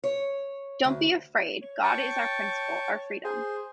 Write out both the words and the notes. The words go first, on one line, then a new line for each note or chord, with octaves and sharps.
Don’t be afraid. God is our principle, our freedom.
C#5
D2
C#5
G5 A5 C#6
G#4 C5